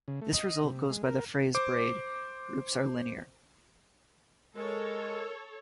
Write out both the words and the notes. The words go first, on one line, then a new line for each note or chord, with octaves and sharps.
This result goes by the phrase braid groups are linear.
C#3
A3
D#5
C3
G#3
A#4
C5 D6
G#3 A4 A#4 C#5